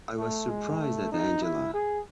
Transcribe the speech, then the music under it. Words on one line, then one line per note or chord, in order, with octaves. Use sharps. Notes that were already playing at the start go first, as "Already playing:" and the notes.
I was surprised at Angela.
A3
G#3
A3
D#4
E4
G#4